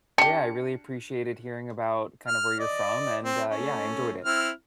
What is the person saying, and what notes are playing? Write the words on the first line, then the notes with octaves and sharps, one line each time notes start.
Yeah, I really appreciated hearing about kind of where you're from, and, uh, yeah, I enjoyed it.
D4 G4 C#7
F6
D5 D#5
C4
A3 C#4
C4 E4 F6